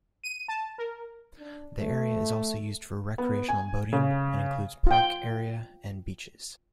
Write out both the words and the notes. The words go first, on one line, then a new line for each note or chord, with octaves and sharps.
The area is also used for recreational boating and includes park area and beaches.
D#7
A5
A#4
D4
A3
B3
G#5
C#3
F4 G5